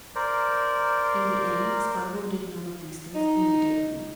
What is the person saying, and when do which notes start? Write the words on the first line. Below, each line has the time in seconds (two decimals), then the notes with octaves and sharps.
In the end Spargo did none of these things immediately.
0.15 A#4 C5 D5
3.15 D#4